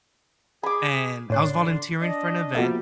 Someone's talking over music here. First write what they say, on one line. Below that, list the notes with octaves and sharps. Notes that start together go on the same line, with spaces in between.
and I was volunteering for an event,
G#4 B5 D6
A2 D3 D4 C#5 C6 F#6
D4 D#5
C3 F3 G3 A#3 B3 F#4 A4 E5